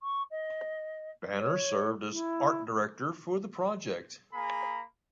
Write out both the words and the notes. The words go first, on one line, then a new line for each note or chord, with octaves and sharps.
Banner served as art director for the project.
C#6
D#5
C#5
E4
A#3 G#4 A#5 B5